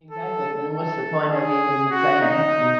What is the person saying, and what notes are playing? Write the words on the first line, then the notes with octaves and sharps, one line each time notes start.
Exactly, then what's the point of even saying, "Hey"
A4
A4
G#4
F#4
D#4